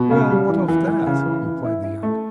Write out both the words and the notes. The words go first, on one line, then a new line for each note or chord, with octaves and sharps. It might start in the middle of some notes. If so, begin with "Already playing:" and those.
"Well, what of that?" replied the younger.
Already playing: B2
C#3
G3
E3
E3
E3
C#3
E3
E3
E4
E4
A3